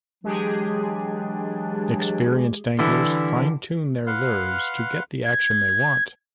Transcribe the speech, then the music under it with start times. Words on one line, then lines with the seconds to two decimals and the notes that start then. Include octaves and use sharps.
Experienced anglers fine tune their lures to get the action they want.
0.24 E3 F#3 G#3 D4 G4 G#4
2.79 D3 E3 G3 E4
4.07 B4 F5 F#5 C6 F6
5.25 G#6